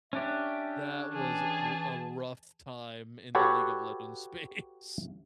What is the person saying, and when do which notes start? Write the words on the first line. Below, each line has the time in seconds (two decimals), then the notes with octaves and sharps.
That was a r a rough time in the League of Legends space.
0.13 C#4 D4 G4 E5
1.14 E3 G#4 A5
3.35 F#4 G4 A4 B4 C#5 F#5